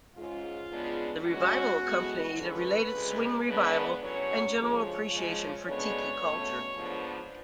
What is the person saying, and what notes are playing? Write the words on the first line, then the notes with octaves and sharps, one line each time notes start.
The revival accompanied a related swing revival and general appreciation for tiki culture.
G#2 G#3 C#4 F4
C#3 G#3 B3 D4
F#2 C#3 G#3 C#4 F#4
A2 G#3 B3
D2 D3 F3 G#3 C#4 B4
D2 C#3 G#3
C#3 G#3 B3 D4 B4
A2 F#3 C#4 C#5
D2 C#3 F3 G#3 C#5
C#3 F3 G#3 C#4
D2 C#3 G#3 B3 D4 C#5
B2 A3 C#4
G#2 F3 B3 D4